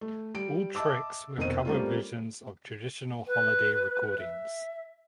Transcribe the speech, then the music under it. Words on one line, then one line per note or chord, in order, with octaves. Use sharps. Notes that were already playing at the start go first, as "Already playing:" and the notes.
All tracks were cover versions of traditional holiday recordings.
A3
G3 D7
D#5 E5 A5 D6 E6
F1 B2 A#4 C5 D#5 D#7
G3 A3 A#3 C4 C#4 F4
B4
E5